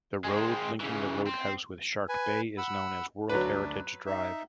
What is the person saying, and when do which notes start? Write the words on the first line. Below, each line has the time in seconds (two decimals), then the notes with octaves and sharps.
The road linking the roadhouse with Shark Bay is known as "World Heritage Drive".
0.24 G#3 C4
0.80 C#3 E3
1.26 C4
2.09 B4 G#5
2.58 F#5 B5 E6
3.29 D2 F#3 D4 B4
4.06 D#4 E5